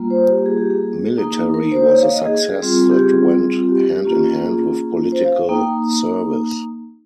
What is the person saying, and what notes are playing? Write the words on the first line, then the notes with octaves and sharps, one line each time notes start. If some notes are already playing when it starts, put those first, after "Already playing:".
Military was a success that went hand in hand with political service.
Already playing: G3 A#3 F4
C5
G4
G#4
G4
G#4
A#3 D#4
A#4
C5
C#5
F5
D#5
G#4
G3 C4 F4
G4
G#4
G4
A#3 C#4 F4
G#4
C5
F5
A#3 D#4 G5